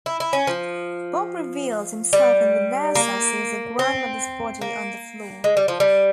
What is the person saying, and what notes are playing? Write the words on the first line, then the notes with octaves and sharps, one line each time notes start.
Bob reveals himself and Vanessa sees her grandmother's body on the floor.
E4
E4
C#4
F3
G3
A#3
C4
A#3
G#3
G3
F3
G3